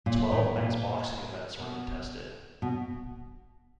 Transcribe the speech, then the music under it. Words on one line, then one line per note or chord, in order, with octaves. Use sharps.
Twelve men's boxing events were contested.
A#2
A2
A#2
B2
B2